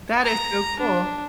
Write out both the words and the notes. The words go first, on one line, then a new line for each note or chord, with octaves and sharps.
That is so cool.
A#5
D4